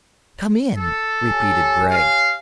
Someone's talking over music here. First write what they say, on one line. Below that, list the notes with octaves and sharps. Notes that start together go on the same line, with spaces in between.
"Come in," repeated Gregg.
A4
G4 C#5 G#5
F5